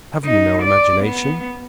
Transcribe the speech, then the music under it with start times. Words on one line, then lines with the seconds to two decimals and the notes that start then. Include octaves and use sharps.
Have you no imagination?
0.25 D#4
0.63 D5
1.04 B3